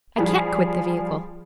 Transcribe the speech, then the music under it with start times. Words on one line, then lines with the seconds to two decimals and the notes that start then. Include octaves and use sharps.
"I can't quit the vehicle."
0.17 F3 G3 G#4 B5